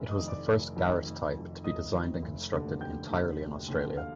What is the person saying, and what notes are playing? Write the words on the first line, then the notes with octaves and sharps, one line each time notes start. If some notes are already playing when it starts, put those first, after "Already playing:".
It was the first Garatt type to be designed and constructed entirely in Australia.
Already playing: F1
D#5 D#6
F2 D#3
D5 D6
F1
F2 D#3
F1
F2 D#3
F1 D#5 D#6
F2 D#3
F1
D#2 D3 A3
F1 G5 G6
D#2 D3 A3
F1
D#2 D3 A3
F5 F6